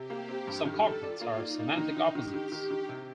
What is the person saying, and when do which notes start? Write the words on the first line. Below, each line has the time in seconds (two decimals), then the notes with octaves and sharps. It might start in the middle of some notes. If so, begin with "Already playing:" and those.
Some cognates are semantic opposites.
Already playing: C3 G4
0.10 A#3
0.28 C4
0.47 G2
0.65 D#3 A4
0.84 G3
1.03 F4 D5
1.21 A#3
1.40 D#4 D5
1.59 A#3
1.77 D#3
1.97 D#3
2.14 D#3 G4
2.34 D#3
2.52 D#3 G4
2.71 D#3
2.89 C3